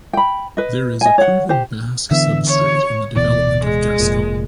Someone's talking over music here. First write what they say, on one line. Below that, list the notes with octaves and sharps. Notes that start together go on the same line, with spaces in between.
There is a proven Basque substrate in the development of Gascon.
G5 B5
B4 D#5
D#5 G#5
C#5 F#5
G4 C5
D3 E3 B3 E5
C#5
D1 B2 E3 D5
G#3
F1 A#2